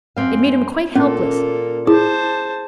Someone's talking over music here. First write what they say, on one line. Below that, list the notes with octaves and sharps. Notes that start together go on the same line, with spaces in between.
It made him quite helpless.
F#2 C4 F5
A#2 A#3 C#4 A4
E4 G#4 C5 A5